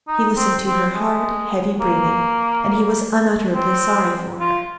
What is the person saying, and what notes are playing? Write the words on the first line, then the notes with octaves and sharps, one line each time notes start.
He listened to her hard, heavy breathing, and he was unutterably sorry for her.
D#4
C4
C4
G#3
A#3
C4
F4